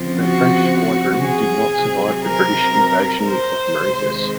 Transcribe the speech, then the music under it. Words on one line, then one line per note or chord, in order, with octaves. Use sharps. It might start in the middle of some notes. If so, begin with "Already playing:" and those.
The French squadron did not survive the British invasion of Mauritius.
Already playing: C#3 F3 C4
F#4
G#4
C3 F#3 C4
A#4
C5
C3 D#3 G#3